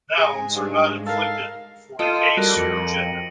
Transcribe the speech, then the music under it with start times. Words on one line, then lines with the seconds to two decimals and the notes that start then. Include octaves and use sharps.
Nouns are not inflected for case or gender.
0.18 G#2 G#3 G#4 G#5 A#5
0.56 G2
1.07 A4 A#4 F5
1.99 F4 A4 D#5 G5 D7 D#7
2.37 G3 F#4 A#4
2.56 F2 A#6 C#7 F#7